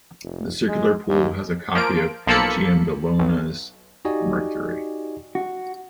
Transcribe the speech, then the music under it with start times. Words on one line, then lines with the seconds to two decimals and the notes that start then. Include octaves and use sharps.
The circular pool has a copy of Giambologna's Mercury.
0.23 F1
0.68 G#3
1.08 D#2
1.75 F3 A#3 D7
2.27 B1 F3 A#3 A4 B5 C#7
3.19 B1
4.05 D#4 F#4 G4 D5 D#5 G#5
5.35 F#4